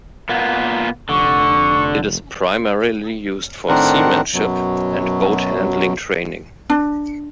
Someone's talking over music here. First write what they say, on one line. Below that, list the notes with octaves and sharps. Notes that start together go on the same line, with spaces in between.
It is primarily used for seamanship and boat handling training.
A#2 A#3 B3
F1 D3 C#6
A2 D#3 C4 D4 A#4 F#5
F#2 B2 F#3
D4